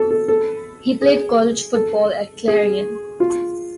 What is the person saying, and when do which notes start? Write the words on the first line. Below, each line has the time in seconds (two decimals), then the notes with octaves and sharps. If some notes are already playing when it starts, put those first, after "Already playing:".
He played college football at Clarion.
Already playing: A4
0.11 A4
0.28 A4
1.02 G#4
1.74 A4
2.48 G#4
3.20 F4